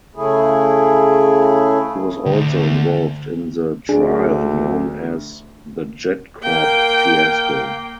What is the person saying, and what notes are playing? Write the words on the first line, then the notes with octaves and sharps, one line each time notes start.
He was also involved in the trial known as the JetCorp fiasco.
C#3 A3 E4 G#4
D2
D2 D4 G#4
A#3 G5